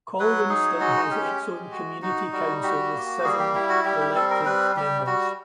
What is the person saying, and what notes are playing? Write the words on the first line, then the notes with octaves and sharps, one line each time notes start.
Colwinston has its own community council with seven elected members.
F#3 B4
D#4 G#4
G#3 F#4
C#4 G4
G#3
F#4
D#4 F#4
G3 F#4
F#4 G4
A#3
G3 G#4
G4
E4 G4
F#4
G3 G4
G4
C4 A4
A#4
G3 B4
G3 G4
G3 F#4